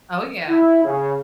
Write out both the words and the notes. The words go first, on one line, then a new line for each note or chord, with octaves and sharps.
Oh, yeah.
E4
C#3